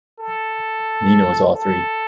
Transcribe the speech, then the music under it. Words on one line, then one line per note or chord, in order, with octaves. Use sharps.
Nino is all three.
A4
A4